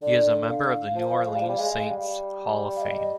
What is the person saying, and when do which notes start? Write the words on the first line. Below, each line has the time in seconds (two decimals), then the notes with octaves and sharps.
He is a member of the New Orleans Saints Hall of Fame.
0.02 D3 D5
0.48 F5
0.95 F3
1.27 G#3
1.34 G3
1.42 F3
1.49 G3
1.58 G#3
1.89 G3
2.76 F5
2.82 D#5